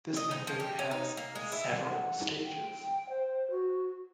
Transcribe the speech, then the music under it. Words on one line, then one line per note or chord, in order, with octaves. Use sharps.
This method has several stages.
D#5
D#4
F3
G4
C#4
D#4
A#3
G#3
E4
F#5
G5
C5
F#4